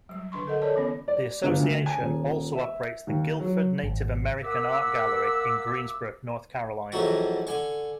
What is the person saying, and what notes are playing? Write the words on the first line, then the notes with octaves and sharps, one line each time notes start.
The association also operates the Guilford Native American Art Gallery in Greensboro, North Carolina.
F#3 G3
D3 D4 C6 C#6
A4 A#4 D#5 F#5
A4 A#4 C#5 D5 A5
E3 B3 C#4
D5
G1
D2
G#5
D#1
E5
D#2
F#3
G#1
A#3 A#4 E5 F#5 D6 E6
A#1 F2 E3 F#3 F#4 C#6
D3 G#5 C#6